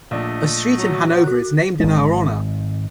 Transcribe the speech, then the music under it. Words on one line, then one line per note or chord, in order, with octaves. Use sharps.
A street in Hanover is named in her honor.
A#1 A3 D4 D#5
F#3
F#4 F#6
G#1 G#3